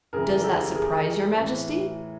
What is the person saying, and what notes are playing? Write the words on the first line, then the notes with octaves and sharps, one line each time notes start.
"Does that surprise your Majesty?"
F2 C#3 E3 G#4 A#4
A#4
G4 A4
G#4 A#4
A2 E3